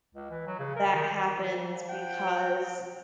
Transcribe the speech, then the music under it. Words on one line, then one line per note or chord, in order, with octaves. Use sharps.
that happens because
C#2
E3
F#3
C#3
A#4
D#3
F3
F#5 G5